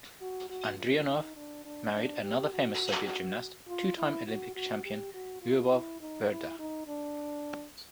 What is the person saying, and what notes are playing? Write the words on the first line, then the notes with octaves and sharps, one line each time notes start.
Andrianov married another famous Soviet gymnast, two-time Olympic champion Lyubov Burda.
F#4
F#4
F4
D#4
D4
D4
D4
G4
F#4
F4
E4
F#4
F#4
G4
F#4
F4
E4
D#4
E4
D#4
D4